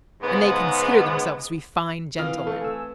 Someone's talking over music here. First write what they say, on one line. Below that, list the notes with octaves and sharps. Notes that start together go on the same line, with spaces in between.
And they consider themselves to be fine gentlemen!
G#2 C#3 B3
E3 C4 B4 F5 D#6
A3 A4
G#5 E6